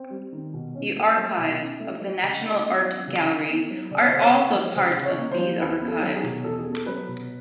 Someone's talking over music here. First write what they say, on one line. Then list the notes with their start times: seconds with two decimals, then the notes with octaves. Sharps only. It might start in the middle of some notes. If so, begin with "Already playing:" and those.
The archives of the National Art Gallery are also part of these archives.
Already playing: C4
0.11 G3
0.32 D#3
0.53 B2
0.75 C#4
0.95 A3
1.17 F#3
1.38 B2 E5
1.59 C#4
1.80 A3 E5
2.01 F#3
2.22 C#3 D#5
2.43 D#4
2.50 D#5
2.65 B3
2.79 D5
2.85 F#3
3.07 C#3
3.29 D#4
3.49 B3
3.70 F#3
3.91 C#3 D5
4.01 C#5
4.11 C#3 C5
4.21 C#5
4.33 A#3 C#5
4.54 F3
4.75 C#3 C5
4.97 C#3
5.04 C#5
5.19 A#3
5.32 C5
5.39 F3
5.60 E2 B4
5.82 B3
5.88 A4
6.02 F#3
6.16 G#4
6.23 B2
6.44 E2 A4
6.59 G#4
6.66 B3
6.72 A4
6.86 F#3 B4
7.08 B2